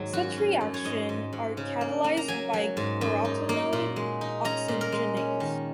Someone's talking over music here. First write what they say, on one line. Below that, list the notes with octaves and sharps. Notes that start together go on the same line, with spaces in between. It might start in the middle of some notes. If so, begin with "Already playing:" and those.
Such reaction are catalyzed by carotenoid oxygenase.
Already playing: G#2 D#3 F#3
F#2 F#4
C#4
F#2
C#5
G#2 D#5
G#2
G#2
C#3
A#3
A#3
A#5
F#3 G#5
F#3
G#2
F#2
D#4
A#3
A#2
G#3
D#4
C#4 A#5
A#2
A#4
G#3
C#4
D#3